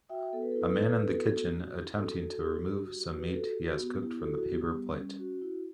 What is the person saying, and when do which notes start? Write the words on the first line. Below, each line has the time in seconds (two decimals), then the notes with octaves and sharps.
A man in the kitchen attempting to remove some meat he has cooked from the paper plate.
0.09 F#4 E5 G5
0.33 B3 A4
0.42 B4
0.51 E4 A4
0.61 B4
0.71 A4
0.78 E4 B4
0.90 A4
1.00 B3 B4
1.09 F#4 A4
1.25 A3 F#4 A4
1.43 G4
1.48 C#4
1.60 F#4
1.72 E4 G4
1.94 B3 F#4 A4
2.18 D4
2.29 F#4 A4
2.41 F#4
2.64 G3 G4
2.77 G4
2.81 F#4
2.87 D4
2.99 G4
3.10 F#4
3.16 G4 B4
3.34 F#4 A4
3.51 G4
3.57 F#4
3.68 F#4
3.80 B3
3.85 G4
4.03 E4 G4
4.20 F#4 A4
4.26 E4
4.37 F#4
4.50 B3
4.55 G4
4.73 G3
4.96 C#4
5.19 F#4
5.42 E4